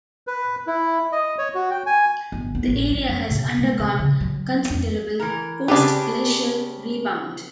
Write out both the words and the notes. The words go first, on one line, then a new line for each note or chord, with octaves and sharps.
The area has undergone considerable Post-glacial rebound.
B4
E4
D#5
C#5
F#4
G5
G#5
G1
B3
A1
F#3
F#2
C3
G#3
C3
C#3
F#3
F2
E3 A#4
C#3 C4 D4 G4 B4